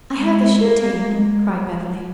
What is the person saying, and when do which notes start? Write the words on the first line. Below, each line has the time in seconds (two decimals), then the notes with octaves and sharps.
"I heard the shooting," cried Beverly.
0.16 G#3
0.61 A#3
1.04 G#3
1.48 F#3